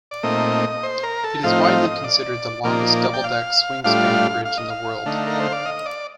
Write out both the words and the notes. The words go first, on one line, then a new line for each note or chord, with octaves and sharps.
It is widely considered the longest double-deck swing-span bridge in the world.
D5
A#2 A3 C4 D#4 D#5
C5
A#4
A4
A2 F3 C4 D#4 F5
F5
D#5
D5
A#2 F3 A#3 D#4 D5
G5
F5
A2 G3 D4 F4 F5
F5
D#5
F5
D3 A3 D#4
A#4
C5
D5
D#5
D5